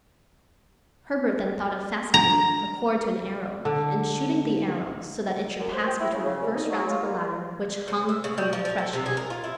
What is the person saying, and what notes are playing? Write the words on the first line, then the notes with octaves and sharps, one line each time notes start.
Herbert then thought of fastening a cord to an arrow, and shooting the arrow so that it should pass between the first rounds of the ladder which hung from the threshold.
A#5
D3
F#2
C5
G5
E4
C#3
C#3
C2
D#4
F#3
F4
A#3
C#3
E5
C#3
G3
F3
F3
A4
C3
G#4
A#4
F4
E4